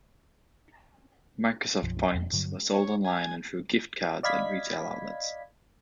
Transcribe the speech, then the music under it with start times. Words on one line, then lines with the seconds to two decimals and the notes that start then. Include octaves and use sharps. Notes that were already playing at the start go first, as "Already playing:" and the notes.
Microsoft Points were sold online and through gift cards at retail outlets.
1.82 B1 F#2 F3
2.12 E1 F2
2.33 G2 D3 F#3
2.74 C#5
3.05 G#5
4.23 D5 D#5 F5 B5 G#6 B6